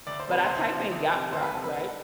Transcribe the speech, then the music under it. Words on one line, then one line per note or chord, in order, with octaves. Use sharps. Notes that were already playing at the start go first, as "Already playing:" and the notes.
but I type in Yacht Rock, right?
D2 D5
C5
C3 F3 B4
C5
D2
C3 F3
D2
C3 F3
D2 C5
B4
C3 F3 A4
B4
C2